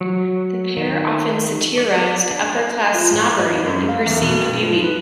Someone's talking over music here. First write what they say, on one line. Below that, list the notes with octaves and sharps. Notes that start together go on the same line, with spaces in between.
The pair often satirized upper class snobbery and perceived beauty.
F#3
D#3
D5
D4
F3
A2
D#5
F2
F#2
F5
E2
B2
G2
F3
B4